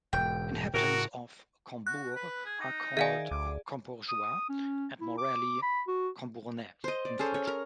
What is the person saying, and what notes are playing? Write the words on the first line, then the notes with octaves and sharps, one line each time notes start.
Inhabitants of Combourg are called "Combourgeois" and, more rarely "Combournais", in French.
E1 G#2 G5
A2 C#3 F#4 A#4
F#4 F#6
B4
G#4
D#4
D#3 G#4 D5 E5 F5 G#5
D2 D6
D#6
C#4
E4
D6
B5
F#4
C5 D#5
D5
C#4 G#4 A4 C5
C#5
A#4 A#5